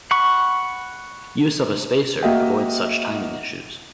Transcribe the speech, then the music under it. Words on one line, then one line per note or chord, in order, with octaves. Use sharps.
Use of a spacer avoids such timing issues.
F#5 B5 C#6
A#3 F#4 D#5 E5 G5